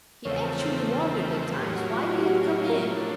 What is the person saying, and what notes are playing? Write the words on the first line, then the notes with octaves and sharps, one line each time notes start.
He actually wondered at times why he had come in.
E2 C#3 F3 A3 C4 C#5
A2 F#3 A#3 C#4 G4
F#4
F4
F#4
G4
F#4
E4
A#4
F3 A3 D4 C#5